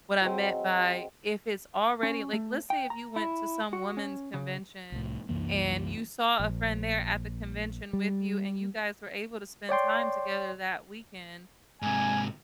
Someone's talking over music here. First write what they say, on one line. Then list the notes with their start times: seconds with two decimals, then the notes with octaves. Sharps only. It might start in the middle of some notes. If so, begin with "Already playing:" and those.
what I meant by if it's already like let's say if you went to some woman's convention and you saw a friend there at the convention with you and you guys were able to spend time together that weekend,
0.21 F#3 G#3 C4
2.03 C#4
2.33 A3
2.70 G5
2.90 A#5
3.16 E4
3.73 F#4
3.97 C#4
4.34 C#3
4.92 C2 A2
5.29 C2 F#2 E3 A#3
6.39 A#1
7.93 G3
9.69 C#5 D5 G5 C6
11.82 G#2 C3 G#5